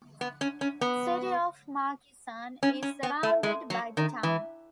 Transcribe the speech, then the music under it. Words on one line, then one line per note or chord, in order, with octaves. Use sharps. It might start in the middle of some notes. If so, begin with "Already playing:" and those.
The city of Markesan is surrounded by the town.
B3
C#4
C#4
B3
C#4
C#4
B3
A3
G#3
F#3
D#3
E3